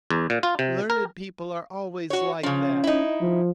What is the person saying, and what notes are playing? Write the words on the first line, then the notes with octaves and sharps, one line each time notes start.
Learned people are always like that.
E2
A#2
F4
C3
A#4
F#4 C#5
C#3 F3 C#4
D#4 E4
F3